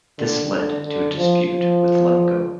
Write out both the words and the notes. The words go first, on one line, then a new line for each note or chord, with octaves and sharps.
This led to a dispute with Lemgo.
D3
D3
D3
F3
F3